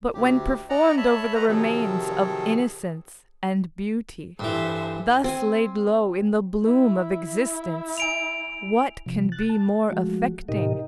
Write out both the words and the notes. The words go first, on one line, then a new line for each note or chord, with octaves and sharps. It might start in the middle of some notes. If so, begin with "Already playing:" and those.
But when performed over the remains of innocence and beauty, thus laid low in the bloom of existence, what can be more affecting?
D2 G4
D5 D#5 F#5 A#5
C#5 E5 A5 B5
B4 C5 D#5 F#5 A#5
C3 D#3 F3 F#3 G#4 A4
G2 E3 A4 C5 E5
C4 G#5
E4
G#5 D7 F7
C3 F3
F#6 A6
A5
F3 G#3 A3 F#4
A2 C3 D#4 G4 A#4 D#5